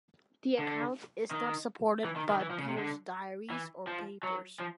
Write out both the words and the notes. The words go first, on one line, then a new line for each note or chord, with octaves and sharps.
The account is not supported by Beale's diaries or papers.
D3
D#3
E3
D#3
D#3
E3
F3
C#3
C3
D3
E3
F3
F#3
F3